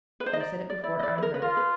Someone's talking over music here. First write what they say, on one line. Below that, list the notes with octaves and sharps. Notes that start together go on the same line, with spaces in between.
You said it before Andrey.
B4
D#4 C5
D#5
D5
D5
E4 D5
D#5
D5
B4
A#4
B4
F4 A#4
B4